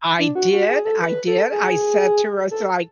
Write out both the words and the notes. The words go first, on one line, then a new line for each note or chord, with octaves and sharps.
I did, I did, I said to Rosa, like,
D4
F#4
F#4
G#4
A4
B4
A4
G#4
A4